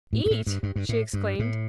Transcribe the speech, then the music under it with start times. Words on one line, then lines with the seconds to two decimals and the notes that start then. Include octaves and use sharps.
"Eat!" she exclaimed.
0.13 A2
0.26 G2
0.31 A2
0.47 G2
0.63 G2
0.76 G2
0.89 A2
1.13 G2
1.39 A2